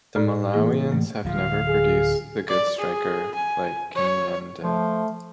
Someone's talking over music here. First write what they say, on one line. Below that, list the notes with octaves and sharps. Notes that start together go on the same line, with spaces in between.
The Malawians have never produce the good striker like Kanyenda.
A2 D#4 A4 D5 F6
E3 A#3 E4 G#4
A2 E3 A3
D1 F3 F5
G#4
D5
G#4
G#5
C#5
F3 A3